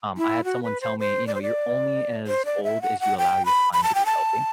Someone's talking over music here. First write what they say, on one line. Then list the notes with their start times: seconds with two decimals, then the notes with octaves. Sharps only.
um, I had someone tell me, you know, "You're only as old as you allow your spine to be healthy."
0.18 E4
0.44 F#4
0.63 B4
0.81 C5
0.99 C5
1.27 D5
1.35 C5
1.42 D5
2.27 C5
2.45 D5
2.64 E5
2.82 F#5
3.00 F#5
3.18 G5
3.46 B5
3.73 B5
3.84 A5
3.95 G5
4.06 A5